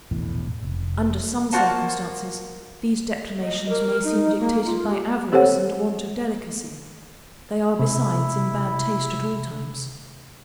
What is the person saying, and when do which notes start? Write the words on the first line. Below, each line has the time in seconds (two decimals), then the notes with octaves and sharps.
Under some circumstances, these declamations may seem dictated by avarice and a want of delicacy; they are besides in bad taste at all times.
0.11 E1 A#1 E2 A2
0.62 F1
1.53 A#3 F4 F#4 C5 F#5 A5
3.41 D#5
3.69 A#4
4.04 D#4
4.40 A#3
4.65 F4
4.89 G4
5.32 C4 G4 A4 C5 C#5 F#5
7.79 C3 E4